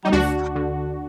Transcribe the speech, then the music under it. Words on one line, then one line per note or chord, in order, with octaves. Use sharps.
One of
D#4
D2 D4 F#4
D3